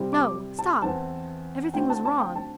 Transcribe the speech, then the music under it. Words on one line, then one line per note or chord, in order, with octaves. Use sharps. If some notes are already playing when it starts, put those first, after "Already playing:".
No, stop! Everything was wrong.
Already playing: C3 G3 C4 E4
D6
A5
E2 E3 C4 E4 A5
D2 D3 A3 C4 E4 G5
A5
A5
G5
A5